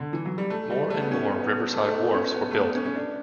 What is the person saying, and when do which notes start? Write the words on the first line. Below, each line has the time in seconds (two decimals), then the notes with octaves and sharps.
More and more riverside wharfs were built.
0.00 D3
0.13 E3
0.25 F#3
0.38 G3
0.50 A3
0.70 G3
0.90 A3
1.02 B3
1.11 C#4
1.42 B3
1.73 A3
1.85 A3
1.94 B3
2.14 C#4
2.34 B3
2.51 A3
2.55 B3
2.75 C#4
2.85 C#4
2.95 D4